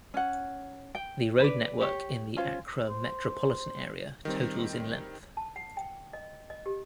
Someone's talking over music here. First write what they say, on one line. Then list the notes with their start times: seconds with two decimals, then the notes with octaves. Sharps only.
The road network in the Accra Metropolitan Area totals in length.
0.14 C#4 F#5
0.95 G5
1.40 B4 D5
1.81 G4 C#5
2.37 C#4 F4 C5
2.89 C5
4.25 D#3 G3 C4
5.37 A5
5.56 F#5
5.77 G5
6.13 D#5
6.50 D#5
6.66 G4